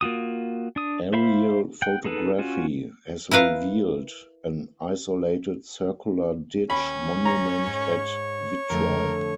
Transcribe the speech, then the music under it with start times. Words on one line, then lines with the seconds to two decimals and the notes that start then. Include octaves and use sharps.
Aerial photography has revealed an isolated circular ditch monument at Vitry.
0.01 A#3 F4 F#4 D#6
0.76 D4 D#6
1.13 C5 E5 F5 B5
1.82 F#5 G5
2.04 D#4 G#4 A4 B4
2.39 C#4 F4 F#4
3.31 E4 A#4 B4 F5
6.70 D#2 C#4 B5
7.25 C#5 A#5
7.66 G#2
8.70 F2 D3 A3 A#4